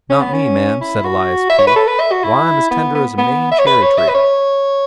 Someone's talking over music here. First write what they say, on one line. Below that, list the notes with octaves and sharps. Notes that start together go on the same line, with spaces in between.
'Not me, ma'am,' said Elias P. 'Why, I'm as tender as a Maine cherry-tree.
C#4
B3
C#4
E4
F#4
E5
C#5
B4
A4
B4
E5
F#4
E4
B3
B3
B3
E5
C#5
B4
C#5
E5
B4
C#5